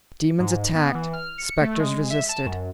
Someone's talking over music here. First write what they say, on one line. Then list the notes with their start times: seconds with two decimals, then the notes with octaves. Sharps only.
Demons attacked, spectres resisted.
0.40 G#2
0.75 B3
0.94 E3
1.13 F6
1.38 C#7
1.61 A3
1.79 G#3
2.10 E5
2.29 A5
2.46 F#2